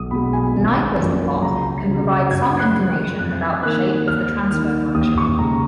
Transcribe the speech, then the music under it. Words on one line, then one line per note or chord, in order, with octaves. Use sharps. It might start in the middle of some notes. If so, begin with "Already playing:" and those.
The Nyquist plot can provide some information about the shape of the transfer function.
Already playing: B1 D#6
B2 G#3 B5
G#5
G#1
F#2 F3 A#3
C#2 A#5
C#3 F#3
F#2 G#6
F#6
F3 G#3
F#6
F2 F#6
G#6
D#3 A#3 F#6
D#2 F6
D#3 A#3 F6
D#2 D#6
C#6
C#3 G#3 A#5